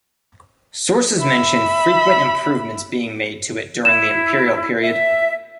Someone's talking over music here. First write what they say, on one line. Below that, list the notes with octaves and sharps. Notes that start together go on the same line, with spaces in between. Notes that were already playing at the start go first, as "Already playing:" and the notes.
Sources mention frequent improvements being made to it during the imperial period.
E5 B5
E4 E7
E5